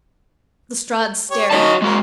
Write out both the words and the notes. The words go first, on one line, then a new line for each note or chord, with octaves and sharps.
Lestrade stared.
G4 C#5
D#3 C#4 F#4 C#5 D#5 A5
G#3 A#3 F#4